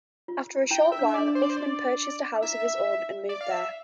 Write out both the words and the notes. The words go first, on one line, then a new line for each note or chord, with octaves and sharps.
After a short while, Uthman purchased a house of his own and moved there.
F4
E4 G5
E5
D4
E5
D4 D5
D4
C5
D5
C5
D5
E4 E5
D5
F5
E5